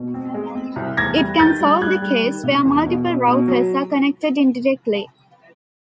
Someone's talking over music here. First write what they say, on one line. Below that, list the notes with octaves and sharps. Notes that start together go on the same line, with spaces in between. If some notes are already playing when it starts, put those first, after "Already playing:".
It can solve the case where multiple routers are connected indirectly.
Already playing: B2
C4
G#3
C4
C2
E2 G#6 A#6
G3
D#3 G6 A6
G3
G3 F#6 G#6
G3
D#3
C3
E2
B2
B2
B2
F#3